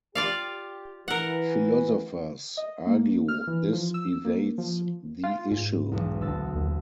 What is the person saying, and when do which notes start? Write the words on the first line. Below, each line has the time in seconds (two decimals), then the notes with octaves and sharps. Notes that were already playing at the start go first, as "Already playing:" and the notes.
Philosophers argue this evades the issue.
0.15 F4 G4 D5 F5
1.08 E3 A#4 F#5
2.57 D#5
2.87 A#3
3.28 F6
3.47 E3
3.73 F3
3.94 E6
4.25 A#3
4.58 F3
5.24 F4
5.51 G#2
5.92 E1 B1 E2
6.21 D2 E6 A6
6.55 D#2